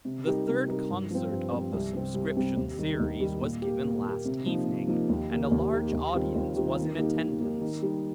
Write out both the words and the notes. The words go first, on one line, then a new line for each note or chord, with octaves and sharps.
The third concert of the subscription series was given last evening, and a large audience was in attendance.
C3
G3 D#4 G4 A#4
C3
G3 D#4 G4 A#4
G2
F3 C4
G2
F3 C4
C2
C3 G3 C4
C2
C3 G3 C4
D#2
D#3 G3
D#2
D#3 G3
A#2
A#3 G4
A#2
A#3 G4
C3
F3 A#3 D#4
C3
F3 A#3 D#4
D#2
D#3 A#3 G4
D#2
D#3 A#3 G4
D#2
D#3 G3 C4 F4
D#2
D#3 G3 C4 F4
D#3
A#3 D#4 G4
D#3
A#3 D#4 G4
D#3
G3 D#4